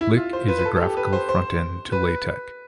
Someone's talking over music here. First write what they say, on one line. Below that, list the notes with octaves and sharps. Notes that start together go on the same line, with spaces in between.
LyX is a graphical frontend to LaTeX.
E4
F4
C5
B4
B4
A4
A4
G4
B4
C5
C5
B4